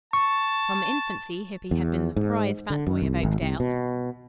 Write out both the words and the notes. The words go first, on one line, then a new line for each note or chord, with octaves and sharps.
From infancy Hippy had been the prize fat boy of Oakdale.
A5 C#6
E2
G#2
D3
F#2
C2
G#1
C2
B2